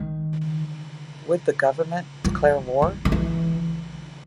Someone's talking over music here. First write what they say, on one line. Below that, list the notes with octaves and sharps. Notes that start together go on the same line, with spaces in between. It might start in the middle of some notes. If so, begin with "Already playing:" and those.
Would the government declare war?
Already playing: D#3
F3
E3
D#3
E3